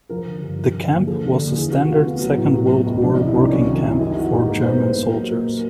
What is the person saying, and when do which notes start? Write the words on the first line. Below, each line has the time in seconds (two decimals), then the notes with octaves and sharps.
The camp was a standard Second World War working camp for German soldiers.
0.09 F3 A#4
0.26 D3
0.42 G2
0.58 F3
0.75 D3
0.91 D#2
1.07 F3 A4
1.23 D3
1.40 D#2
1.56 E3 G#4
1.72 C3 F#4
1.88 D2 F4
2.05 B3
2.21 F#3
2.37 A2
2.54 F#3
2.70 B2
2.87 C#2
3.02 F3 D4
3.14 D#4
3.18 C3
3.27 E4
3.34 C2 D4
3.51 F#3 C#4
3.67 D#3
3.84 F#2
3.89 E4
4.00 G3 D#4
4.16 E3 F#4
4.33 G#2 G4
4.48 A#3 A#4
4.60 C5
4.65 G3 B4
4.81 B2 C5
4.98 A#3
5.13 F#3
5.30 A#2
5.45 F#3 A#4